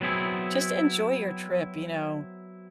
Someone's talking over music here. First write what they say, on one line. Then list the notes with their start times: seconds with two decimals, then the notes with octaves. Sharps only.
just enjoy your trip, you know?
0.01 F#3 B3 C4 E4 G#4